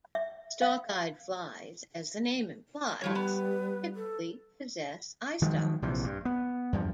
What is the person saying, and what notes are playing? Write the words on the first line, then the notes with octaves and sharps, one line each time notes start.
Stalk-eyed flies, as the name implies, typically possess eyestalks.
E5
F5
A2 F3 G3 F#4 C#5
B3 B4
A4
D#3 F3 F#3 G#3
A#1 C3 E3 F3
G2
B3
E2 G2 F3